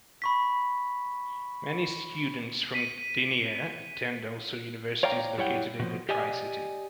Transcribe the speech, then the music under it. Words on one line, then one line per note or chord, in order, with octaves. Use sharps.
Many students from Gdynia attend also universities located in the Tricity.
B5 C#6 B6
B6 D#7
C#5 D5 F5 G5 A#5
F#2 G3 E4 C#5 F#5 G5
B2 F3
G4 D5 D#5 G#5